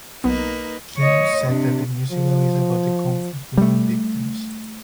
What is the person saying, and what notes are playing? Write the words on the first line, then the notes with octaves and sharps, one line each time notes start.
Kim said that the musical is about the comfort women victims.
B1 A#3 B3 D#4 B4
C#5 D#5
C3 D4
F3
G3 A3